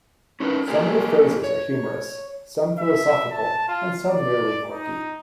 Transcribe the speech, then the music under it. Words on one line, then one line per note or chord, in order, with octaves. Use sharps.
Some of the phrases are humorous, some philosophical, and some merely quirky.
C#4 D#4 A#4 B4
A#3 G4 G#4 A#4
C#5
E5
A5
F4
D5
D#4